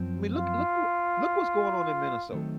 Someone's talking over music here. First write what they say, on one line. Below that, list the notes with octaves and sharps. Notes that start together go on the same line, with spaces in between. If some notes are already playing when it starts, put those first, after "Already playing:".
I mean, look look who Look what's going on in Minnesota,
Already playing: F#2 F3 C4
F4
D#3 F#3 A3 C4